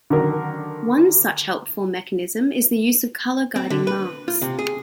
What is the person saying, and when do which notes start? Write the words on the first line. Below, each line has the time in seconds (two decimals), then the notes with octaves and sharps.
One such helpful mechanism is the use of colour guiding marks.
0.10 D3 D#3 F#3 A#4
3.56 C4
3.70 D3
3.87 B4
4.28 F4
4.42 C3
4.59 G#4